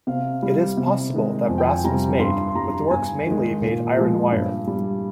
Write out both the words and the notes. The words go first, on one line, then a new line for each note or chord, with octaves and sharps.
It is possible that brass was made, but the works mainly made iron wire.
C3 F5
G3
C3
D#3 G#3
F2 G#5
G5
G#5
C3 G3 A#5
G2 C6
C6
G3 A#5
G2 G#5
D#3 G#3
A#2
F3 G#3
G2
G3